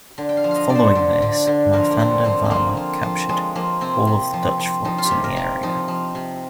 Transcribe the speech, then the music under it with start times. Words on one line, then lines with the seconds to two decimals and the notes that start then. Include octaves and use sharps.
Following this, Marthanda Varma captured all of the Dutch forts in the area.
0.18 D3
0.29 G5
0.37 F5
0.44 F3
0.51 F5
0.56 D#5
0.69 D3 D5
0.75 C5
0.95 D3
1.22 D3
1.47 D3
1.73 F3 A#4
1.91 A#3
1.99 D3 C4
2.25 F3 C4
2.45 C4
2.51 F3 A#3
2.77 F3
3.03 F3
3.29 F3 G#3
3.55 F3 A#3
3.81 C3 C4
4.07 C3
4.33 F3
4.59 F3
4.85 F3 D#4
4.98 F4
5.05 G4
5.11 C3
5.24 A#4
5.36 C3
5.63 F3 D#4
5.88 F3
6.15 C3